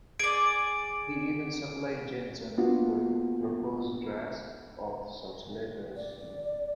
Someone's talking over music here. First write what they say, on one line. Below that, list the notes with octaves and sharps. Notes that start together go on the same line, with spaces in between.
He even supplied Jensen with proposed drafts of such letters.
G#4 D5 D7
A#3 B3 D4 F4 F#4
D5